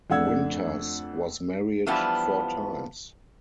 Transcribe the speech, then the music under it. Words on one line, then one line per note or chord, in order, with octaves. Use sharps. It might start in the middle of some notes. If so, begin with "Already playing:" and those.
Winters was married four times.
F2 A3 D4 F#5 E6 G#6
E3 F3 G3 B3 D4 F4